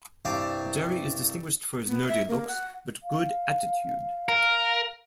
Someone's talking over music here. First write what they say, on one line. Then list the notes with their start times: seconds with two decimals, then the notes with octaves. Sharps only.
Jerry is distinguished for his nerdy looks but good attitude.
0.25 C2 G2 G4 F5
1.86 B3
2.08 E5
2.28 A#3
2.48 F#5
3.03 F5
4.29 A#4